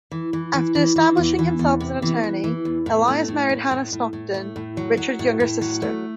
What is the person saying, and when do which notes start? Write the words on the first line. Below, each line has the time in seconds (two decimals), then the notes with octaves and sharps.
After establishing himself as an attorney, Elias married Hannah Stockton, Richard's younger sister.
0.12 E3
0.33 E3
0.54 E3
0.75 E3
0.96 E3
1.17 E2
1.39 E3
1.59 E2
1.80 C3
2.02 E3
2.24 E3
2.44 E3
2.65 E2
2.86 A2
3.08 A3
3.28 A2
3.49 A2
3.71 A2
3.92 A2
4.13 A2
4.34 A3
4.56 A2
4.77 F#3
4.97 F#3
5.19 A2
5.40 A2
5.61 F#3
5.82 A3